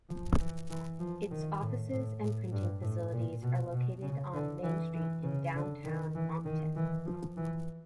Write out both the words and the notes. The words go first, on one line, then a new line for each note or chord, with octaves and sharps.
Its offices and printing facilities are located on Main Street in Downtown Moncton.
F3
E3
E3
F3
D#3
A2
A2
A2
G2
A2
A#2
B2
B2
C#3
D3
E3
E3
C#3
D3
D#3
E3
D#3
E3
F3
E3